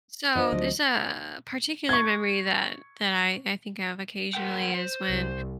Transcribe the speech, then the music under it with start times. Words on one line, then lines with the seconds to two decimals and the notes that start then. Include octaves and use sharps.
So, there's a particular memory that that I I think of occasionally is when,
0.35 F3 D4 C5 D#5
0.52 D2 F#3
1.89 C#6 G#6
4.35 A#4 F#5 G5
4.74 C5
5.09 C2